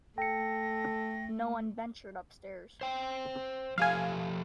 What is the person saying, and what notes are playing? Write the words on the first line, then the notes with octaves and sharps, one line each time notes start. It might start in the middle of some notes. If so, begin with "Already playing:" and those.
No one ventured upstairs.
A3 A4 G5 A#6 C#7
C5 G5
F3 G4 A4 F5 G#5